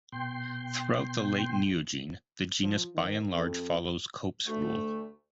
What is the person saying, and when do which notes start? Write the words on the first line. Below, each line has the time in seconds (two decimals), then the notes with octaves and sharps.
Throughout the late Neogene, the genus by and large follows Cope's Rule.
0.12 B2 G5 C6
2.63 F3
2.95 D#3
3.32 F2
4.46 D2 A3